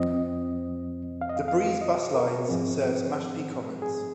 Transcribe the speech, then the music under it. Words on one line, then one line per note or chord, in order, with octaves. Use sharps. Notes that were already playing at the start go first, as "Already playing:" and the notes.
The Breeze bus lines serves Mashpee Commons.
Already playing: F2 F3 C4 D#5
F5
D#5
F5
F5
D#5
A#4
G#2 F3 C4 G#4
G#4